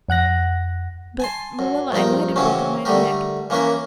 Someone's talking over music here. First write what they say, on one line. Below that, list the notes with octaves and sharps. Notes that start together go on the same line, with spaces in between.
But, Marilla, I might have broken my neck.
F2 F#5 F#6 A#6
G#5 A5 C6
F#2
A#1 G2 D#4 A#4 G5
C#3 E3 F#3 C4 C#4
D3 G3 A3 G4 A#4
E3 A#3 C#4 A#4 B4